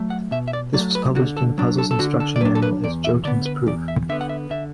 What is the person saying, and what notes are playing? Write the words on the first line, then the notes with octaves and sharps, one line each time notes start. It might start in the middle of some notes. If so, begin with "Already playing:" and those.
This was published in the puzzle's instruction manual as "Jotun's Proof".
Already playing: F#3 A3
F#5
B2 E5
E5
D5
F#3 D5
A3
B4
D3 F#4
A4
F#3 D4
A4
A4
D3 F#4
A4
D5
F#3 D4 B4
A4
B4
E2 D5
E5
D3 B3 D5
B4
E2 D5
E5
D3 B3 E5
F#5
E5
D3 E5